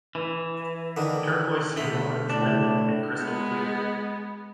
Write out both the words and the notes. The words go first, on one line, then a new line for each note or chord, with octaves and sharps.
The turquoise sea water is limpid and crystal clear.
E3
D3 D#3
B2 D3 A3
A2 D4
G#3 B3